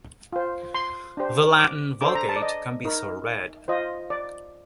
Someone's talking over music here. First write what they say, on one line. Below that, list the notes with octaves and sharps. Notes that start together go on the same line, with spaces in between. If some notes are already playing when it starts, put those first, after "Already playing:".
The Latin Vulgate can be so read.
F4 C5
C6
D4 G4 C5
D6
D4 A4 C5 D6
A#5
A5
D5
D#5
D#4 A#4
F4 C5 D#5
D5